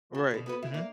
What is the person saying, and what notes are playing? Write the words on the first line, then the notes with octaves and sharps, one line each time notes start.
Right, mhm.
F#4
B2 D3
B3 F#4 B4
E4
A#3 D4